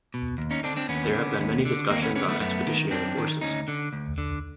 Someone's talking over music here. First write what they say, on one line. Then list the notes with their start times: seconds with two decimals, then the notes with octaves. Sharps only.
There have been many discussions on expeditionary forces.
0.14 B2
0.38 D#2
0.51 C#4 D#4
0.63 D3 C4 D4
0.77 C4 D4
0.89 D#2 B3 C#4
1.15 D3
1.39 D#2
1.65 D3
1.90 D#2 A#3 C4
2.02 B3 C#4
2.15 D3 B3 C#4
2.28 A3 B3
2.40 F#2 A3 B3
2.67 D#3
2.91 F#2 C4 D4
3.17 D#3
3.41 D2 C#4 D#4
3.68 D3
3.93 D2
4.18 D3